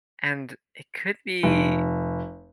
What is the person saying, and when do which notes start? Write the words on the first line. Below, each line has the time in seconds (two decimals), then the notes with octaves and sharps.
and it could be
1.43 F1